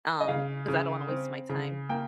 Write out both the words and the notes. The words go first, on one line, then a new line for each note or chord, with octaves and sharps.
um, because I don't want to waste my time.
D#5
C#3 F5
C#3
C4
C#3
A#3 G5